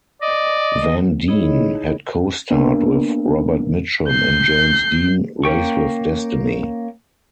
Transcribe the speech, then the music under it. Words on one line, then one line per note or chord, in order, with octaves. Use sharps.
Van Dien had co-starred with Robert Mitchum in "James Dean: Race with Destiny".
D5 D#5
D#4 E4 G#4 C#5 D#5 B5
A#3 B3 D4 A#4
G6 C7
A#3 C#4 G5 C#6